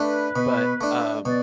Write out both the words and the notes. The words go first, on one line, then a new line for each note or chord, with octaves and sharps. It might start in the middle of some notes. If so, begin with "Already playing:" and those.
but, um,
Already playing: A3 D4 B4
B2
A3 D4
B2 D5